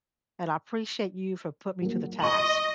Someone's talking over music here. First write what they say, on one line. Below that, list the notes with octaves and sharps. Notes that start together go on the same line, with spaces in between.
and I appreciate you for putting me to the task.
F#3 A#3
D#5 C#6 F#7